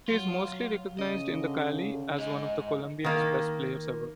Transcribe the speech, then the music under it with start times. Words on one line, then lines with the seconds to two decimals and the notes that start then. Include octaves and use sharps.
He is mostly recognized in Cali as one of Colombia's best players ever.
0.08 F#3 F4
0.99 C#3 D#5
1.37 D3
2.18 D#4 G#4 D#5
3.04 D#3 A#3